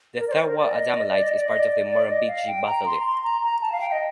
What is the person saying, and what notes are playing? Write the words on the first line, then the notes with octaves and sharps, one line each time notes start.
The Tharwa Adamellite is part of the Murrumbidgee Batholith.
A#4
D5
C5
A#4
D5
D#5
D5
D#5
D5
D#5
D5
D#5
D5
D5
D#5
F5
G5
A#5
C6
A#5
C6
A#5
A#5
A5
F5
G5
D#5